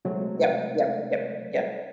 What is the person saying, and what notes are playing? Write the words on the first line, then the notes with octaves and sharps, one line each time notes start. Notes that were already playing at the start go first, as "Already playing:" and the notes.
Yep, yep, yep, yep.
C3 F#3 G#3 A3 C4